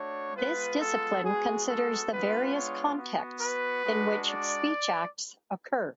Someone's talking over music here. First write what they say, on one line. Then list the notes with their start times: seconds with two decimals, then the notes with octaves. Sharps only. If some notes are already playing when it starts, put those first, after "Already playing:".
This discipline considers the various contexts in which speech acts occur.
Already playing: A3 D4 F#4 C#5
0.36 G#3 B3 F4 B4
0.80 A4
1.24 G#3 B3 F#4 G#4
1.67 A4
2.10 G#3 B3 D4 F4 B4
2.54 C#5
2.97 B3 F#4
3.41 B4
3.85 G#3 D4 F#4
4.29 D5